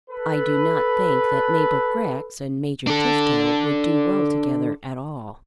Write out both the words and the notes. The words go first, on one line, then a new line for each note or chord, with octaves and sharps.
"I do not think that Mabel Grex and Major Tifto would do well together at all."
A4 B4
D4 A4